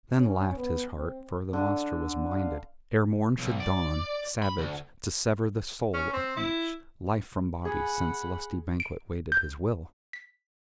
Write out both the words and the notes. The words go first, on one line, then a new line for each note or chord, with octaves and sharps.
Then laughed his heart; for the monster was minded, ere morn should dawn, savage, to sever the soul of each, life from body, since lusty banquet waited his will!
C#4
B3
C4
D3
F5
B1
D5
B5
D2
C#4
C4
E4
G#4 F#5 B5
D7
G6
B6